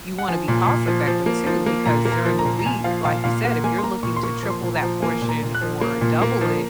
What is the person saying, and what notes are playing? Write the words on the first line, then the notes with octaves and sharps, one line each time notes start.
you wanna be cost effective too because during the week, like you said, if you're looking to triple that portion or double it,
F#5
F3 G#5
A#2
A#2
F3
F3
A#3
F3
A#3
A#2 A#5
A#3
A#5
F3
A#5
A#2
A#5
A#2 G#5
F3 F5
A#2 F5
A#2 F5
A#3 F#5
A#3 G#5
C6
A#3 A#5
A#2 C#6
C6
A#3 C#6
F3
C6
A#2
A#5
F3
A#3 G#5
A#2
A#5
A#2
F#6
F3
A#3
A#2
A#3
F3